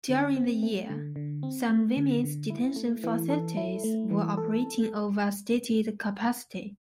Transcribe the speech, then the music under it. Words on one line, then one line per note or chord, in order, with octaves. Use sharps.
During the year, some women's detention facilities were operating over stated capacity.
D3
C4
A3
D3
D3
C4
A3
D3
D3
E4
A3
E3
A4
E4
A3
E3
A4